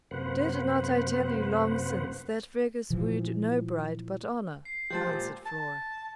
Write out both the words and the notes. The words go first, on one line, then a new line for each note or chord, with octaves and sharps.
'Did not I tell you long since that Fergus wooed no bride but Honour?' answered Flora.
F#2 C3 A#3 B4 C5 F#5
A#2 E3 F3
C7
F3 G#3 G4 C5 A5 G6
A#2
A5